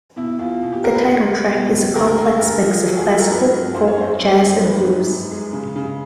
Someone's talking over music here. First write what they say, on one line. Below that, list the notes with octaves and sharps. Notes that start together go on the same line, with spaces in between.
The title track is a complex mix of classical, folk, jazz and blues.
B2 E4
E2 F4
B2
G4
B2 A#4
B4
C#2
G3
B2
C#2
D2 A#4
A#4
G#3 A4
A4
D2 A#4
F3
F#3
G#4
F#3 A4
A#4
G#2 B4
G#2
F#2 C5
C#5
F#2 C5
F#2
F#2
G#2 B4
G#2
G#2
G#3
C#3
C#3